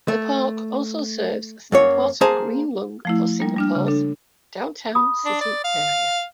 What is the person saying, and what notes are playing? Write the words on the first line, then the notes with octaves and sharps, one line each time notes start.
The park also serves as an important green lung for Singapore's downtown city area.
A3
F#2 A#3 C#5
A#3 G#4 C5 A5 A#5
F3 A3 E4
G3 A#3
G3 D4 F6
C#3
D4 A4
B5 D#6
D4
D5
F5